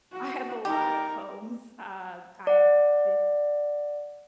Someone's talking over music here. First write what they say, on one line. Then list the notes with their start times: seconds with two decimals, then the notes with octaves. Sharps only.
I have a lot of homes. Uh, I have be
0.12 F#4
0.65 D#4 G4 A#4
2.47 D5 F#5